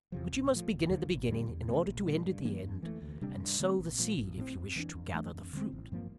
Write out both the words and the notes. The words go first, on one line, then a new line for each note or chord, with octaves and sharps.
But you must begin at the beginning in order to end at the end, and sow the seed if you wish to gather the fruit.
E2 C3 F3
A#1
A2 F3
E1
D2 D3 F3
G1
F2 D3 G3
E2
C3 F3 A3
A#1
A#2 G3
G2
E3 A#3 D4
F2
E3 A3
D2
C3 G3 D4
G2
D3 A3 C4
A#1
A#2 F3
A1
A2 G3 C4
F2
E3 A3 D4
F2
E3 A3 D4
F2
D3 G3 C4
A1
G2 F3 A#3